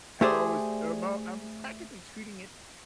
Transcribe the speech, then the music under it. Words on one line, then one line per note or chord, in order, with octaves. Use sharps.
I'm always I'm all I'm practically treating it
A3 G4 G#4 C5 D5